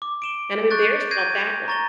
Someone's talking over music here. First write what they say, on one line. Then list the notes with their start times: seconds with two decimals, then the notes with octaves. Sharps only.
and I'm embarrassed about that one.
0.02 D6
0.22 D7 E7 G7
0.70 C#6 F#6 G6 A6 D7
1.11 G6 G#6 A#6 C7 D#7
1.68 A#5 C#6 A6 A#6 G7